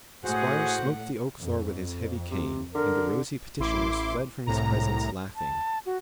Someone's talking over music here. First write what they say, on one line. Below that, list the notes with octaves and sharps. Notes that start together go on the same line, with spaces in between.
The squire smote the oak floor with his heavy cane, and the rosy petitioners fled from his presence laughing.
A2 F#4 G#4 C5 F#5
F2
C3
D3 A#4
A1 E4 C6 D6
C2 A2 A#5
A5
F#4